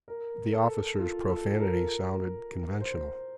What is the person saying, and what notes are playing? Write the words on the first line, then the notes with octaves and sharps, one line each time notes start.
The officer's profanity sounded conventional.
A#4
A4
F4
A4
A#4
C5